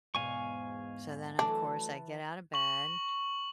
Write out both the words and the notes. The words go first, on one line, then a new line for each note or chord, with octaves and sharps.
So then of course I get out of bed
E2 G#2 B2 F5 G#5 C#6
E3 F#3 A3 D4 A4 A5
C#6 F#7